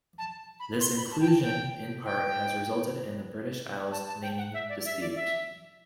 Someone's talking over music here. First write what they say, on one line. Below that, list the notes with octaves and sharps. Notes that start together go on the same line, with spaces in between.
This inclusion, in part, has resulted in the British Isles naming dispute.
A5
B5
C6
B5
A5
G5
A5
G5
G5
A5
A5
G5
F#5
E5
D5
E5
D5
E5